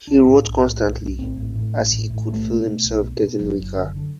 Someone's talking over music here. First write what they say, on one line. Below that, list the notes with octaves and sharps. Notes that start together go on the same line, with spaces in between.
He wrote constantly, as he could feel himself getting weaker.
B1 D4
C4
A2 D4
B1
A2
B1
B1
A1 C4
A2
A2
A1
A2
A2
B1 A3
B2
B2
B1
B2
B2
F#1 F#3
F#1
D3
D3